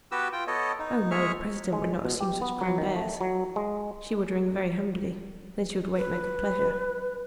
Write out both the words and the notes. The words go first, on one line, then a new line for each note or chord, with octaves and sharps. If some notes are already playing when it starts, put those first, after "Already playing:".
Oh! no, the presidente would not assume such grand airs; she would ring very humbly, then she would wait my good pleasure.
B3 F#4 G4 B4 E6
F4 G5
B3 A4 C#5 D#5
D#4
G#3 G#4 E5 C#6 F6
G#3
B2
G4
B3
F#3
D#3
A3
F#3
G#3
B4